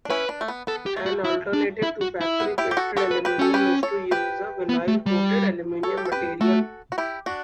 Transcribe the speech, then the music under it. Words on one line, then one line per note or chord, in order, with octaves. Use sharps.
An alternative to factory painted aluminum is to use a vinyl coated aluminium material.
D4
C#4 E4 B4
D4
A3
B3
B3 A4
G4
A3
F#4
E4
D4
E4
F#4
E4
B3
E4 G4
G4
F#4 A4
F#4 G4 A4
B4
G4 B4
C#4 A4
G4 B4
A4 C#5
G4 B4
B3
A3
G3
A4 C#5
G4
A4
G4 B4
A3 F#4 A4
F#4
E4 G4
D4 F#4